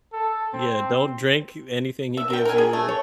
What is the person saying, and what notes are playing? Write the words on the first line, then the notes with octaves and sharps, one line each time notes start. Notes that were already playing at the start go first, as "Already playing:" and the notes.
Yeah, "Don't drink you anything he gives you."
A4
C4
E5
A#4 G5
A#4 G#5
G#4
A3
C#5